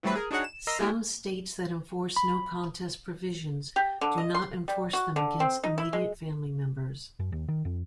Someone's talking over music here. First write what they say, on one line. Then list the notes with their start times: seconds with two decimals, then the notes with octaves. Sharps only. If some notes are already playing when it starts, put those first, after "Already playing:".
Some states that enforce no-contest provisions do not enforce them against immediate family members.
0.03 E3 F#3 G3 A3 C4 B4
0.15 G#4 A#4
0.31 D4 D#4 F#4 G#4 C#5 F#5
0.44 E7
0.67 A#4 D#5 A#5 C6 E6
0.79 G3 G#3 A#3 E4 G4 G#4
2.16 B5
3.76 G4
4.01 D3
4.18 D#5
4.34 C6
4.68 G3
4.93 F#4
5.16 D3
5.40 C4
5.63 D#4
5.78 E4
5.93 G#3
7.19 F#2
7.32 D#2
7.48 D#3
7.65 F2